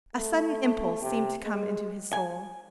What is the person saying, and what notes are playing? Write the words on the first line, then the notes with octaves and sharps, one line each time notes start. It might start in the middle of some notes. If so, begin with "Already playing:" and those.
A sudden impulse seemed to come into his soul.
A3
C3
G#3
G#5